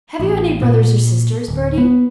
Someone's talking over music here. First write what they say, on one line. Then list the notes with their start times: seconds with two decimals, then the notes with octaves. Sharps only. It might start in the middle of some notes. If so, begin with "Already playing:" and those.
"Have you any brothers or sisters, Bertie?"
0.20 A1
0.62 A#2
1.48 D1
1.78 B3